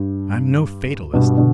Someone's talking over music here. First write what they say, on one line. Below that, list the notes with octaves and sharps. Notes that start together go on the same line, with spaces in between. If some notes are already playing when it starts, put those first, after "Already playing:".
I'm no fatalist.
Already playing: G2
G2 B2
B2 D3